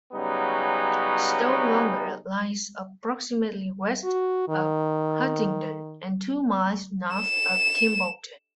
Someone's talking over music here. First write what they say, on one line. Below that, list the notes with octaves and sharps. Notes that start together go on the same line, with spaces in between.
Stow Longa lies approximately west of Huntingdon and two miles north of Kimbolton.
C#3 F#3 G3 B3 C#4 D#4
F#4
D#3
E7